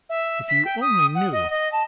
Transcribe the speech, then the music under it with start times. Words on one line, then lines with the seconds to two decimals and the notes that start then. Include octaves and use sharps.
If you only knew!
0.09 E5
0.48 B6
0.64 G5
0.81 D#6
1.15 F#5
1.32 D#5
1.50 D#5
1.72 A5